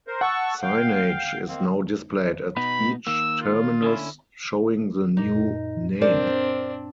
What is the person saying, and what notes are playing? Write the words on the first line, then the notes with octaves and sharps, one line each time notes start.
Signage is now displayed at each terminus showing the new name.
A#4 C5
F#5 A5 C#6 E6
F5 G5
D#3 A#3 C4
B2 B3 D#4 B5
D#3 A#3 E6
F4
D3 C#4 E4
F#2 A#2 D#4
C4 D4 A#4 C5 D5